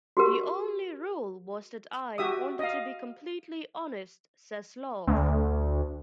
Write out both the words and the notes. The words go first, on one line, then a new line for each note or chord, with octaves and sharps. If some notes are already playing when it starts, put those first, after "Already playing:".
"The only rule was that I wanted to be completely honest," says Love.
F#4 G4 A#4
F#4 G4 E5 D#6
D#5 F5
D2